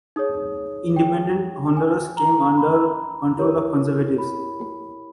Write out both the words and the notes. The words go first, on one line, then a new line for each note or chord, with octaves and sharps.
Independent Honduras came under control of the conservatives.
D#4 G#4 C#5 D#6
G5
G#5
A#5
B5
E4 G4 A#4 C#5
B5